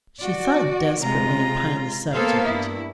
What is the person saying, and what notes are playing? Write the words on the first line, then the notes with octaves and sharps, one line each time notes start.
She thought desperately upon the subject.
F#4 D5
C3 G#3 F4 A#5
A#3 B3 A4 C5 F5
G2 E4